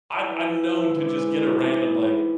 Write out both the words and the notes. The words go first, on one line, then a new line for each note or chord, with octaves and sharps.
I'm I'm known to just get a random like,
E3 E5
E3
E3
E3
G#2 E5
G#2
D5
E3
E3
G#2 D5
E3
E3
G#2